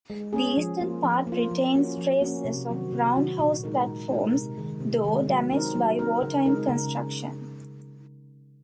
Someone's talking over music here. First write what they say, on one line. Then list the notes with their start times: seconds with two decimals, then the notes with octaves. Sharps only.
The eastern part retains traces of round house platforms, though damaged by wartime construction.
0.10 G#3
0.33 C#4 G#4
0.57 F3
0.80 A#3 F4
1.04 F3
1.27 A#3 F4
1.51 F3
1.74 A#3 C#4 F#4
1.98 F3
2.21 A#3 C#4 F#4
2.45 C3
2.69 D#3 F#3 C4 F#4
2.92 C3
3.16 D#3 F#3 C4 F#4
3.39 A#2
3.63 G#3 D#4 A#4
3.87 A#2
4.11 G#3 D#4 A#4
4.34 C3
4.57 D#3 G#3
4.80 C3
5.04 D#3 G#3
5.28 F#3
5.51 C4 D#4 A#4
5.75 F#3
5.99 C4 D#4 A#4
6.22 C#3
6.46 G#3 D#4 A#4
6.69 C#3